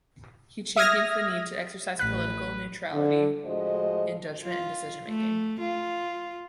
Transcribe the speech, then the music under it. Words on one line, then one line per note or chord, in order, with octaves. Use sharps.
He champions the need to exercise political neutrality in judgement and decision making.
E5 D#6 F6 G#6 A#6
A1 B4 F#6 B6
D3
A2 F3 G#3 F#4 C5 D#5
F4
A3
F4